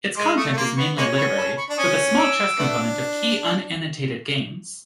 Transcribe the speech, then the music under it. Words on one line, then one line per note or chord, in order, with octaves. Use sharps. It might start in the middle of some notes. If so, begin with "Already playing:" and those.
Its content is mainly literary, with a small chess component of key unannotated games.
G#3 C6 D6
A3 C#6 D#6
A3
A#3 C6 D6
B3 B5 C#6
G#3 A#3 C#4 B5 C#6
B5 C#6
A5 B5
B5 C#6
D4
C#4 C#6 D#6
D6 E6
A3 B3 D4